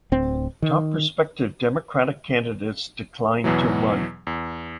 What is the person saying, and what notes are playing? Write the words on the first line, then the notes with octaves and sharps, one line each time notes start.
Top prospective Democratic candidates declined to run.
D1 D2 C4
D#3
E2 B2 E3 F#3
E2